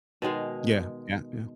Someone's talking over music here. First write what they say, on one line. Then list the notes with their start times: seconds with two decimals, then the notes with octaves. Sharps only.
Yeah, yeah, yeah.
0.22 B2 D#3 G#3 F5